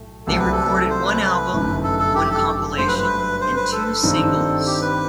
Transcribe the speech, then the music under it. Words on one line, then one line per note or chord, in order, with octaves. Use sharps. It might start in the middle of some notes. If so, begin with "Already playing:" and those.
They recorded one album, one compilation and two singles.
Already playing: B1 A2 A3
C2 C3 F#3 A3 A4
B4
A4
C5
B4
G1 F#2 E3 A3 D#4
A4
A4
G4
A4
G2 F#3 A3 C5
B4
B4
C5
B4
A4
A4
G2 D#3 G3 C4 D#4
G4
B4